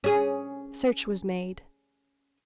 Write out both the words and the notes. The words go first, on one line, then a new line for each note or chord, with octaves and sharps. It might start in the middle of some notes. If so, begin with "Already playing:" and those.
Search was made.
C#4 G#4